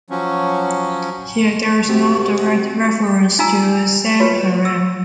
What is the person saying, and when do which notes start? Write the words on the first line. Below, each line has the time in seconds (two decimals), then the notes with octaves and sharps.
Here there is no direct reference to samharam.
0.10 F3 F#3 C#4
1.89 C3 F#4
3.39 D#4 F4 G#5 A#5 E6
4.20 F4 F#4 B4 C#5
4.65 E6